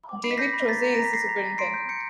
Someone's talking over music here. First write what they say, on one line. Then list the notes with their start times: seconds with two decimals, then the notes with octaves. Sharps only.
David Kroeze is the Superintendent.
0.09 D6
0.24 B5 C7
0.31 B6
0.38 G6 A#6 C7
0.53 B5
0.68 A#5 A6 B6
0.83 A#5
0.95 A#6
0.99 A#5
1.05 B6
1.13 A#5 A#6 C7
1.29 A#5
1.44 A#5
1.58 C6 C7 D7
1.74 G6
1.89 G6 C#7